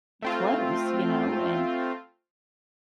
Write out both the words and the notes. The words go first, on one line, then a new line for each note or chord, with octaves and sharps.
close, you know, and,
A3 C4 F4